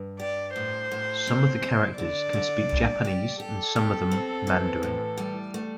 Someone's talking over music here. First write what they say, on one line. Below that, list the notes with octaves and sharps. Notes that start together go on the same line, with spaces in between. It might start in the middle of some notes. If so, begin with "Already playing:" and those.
Some of the characters can speak Japanese and some of them Mandarin.
Already playing: G2
G4 D5
A2 C5
A2
C4
E4
D3 D5
D3
G3
G4
G4 A4
G4
C4
E3
A2
G3
A3